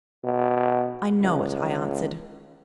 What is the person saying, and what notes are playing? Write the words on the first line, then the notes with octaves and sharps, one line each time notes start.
'I know it,' I answered.
B2
C#2